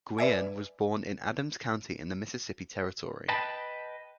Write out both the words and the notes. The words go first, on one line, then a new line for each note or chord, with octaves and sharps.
Guion was born in Adams County in the Mississippi Territory.
B4 D5 E5 G#5
B4 D#5 G5 A5 B5